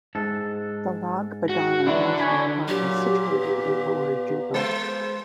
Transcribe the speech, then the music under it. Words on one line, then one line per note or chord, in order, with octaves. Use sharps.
The Lag Badana National Park is situated in Lower Juba.
G#2 A4
F#4
D3 E3 F#3 D4 E4
C#5 G#5 B5
A#2 F#3 G4
B3
G#3 C5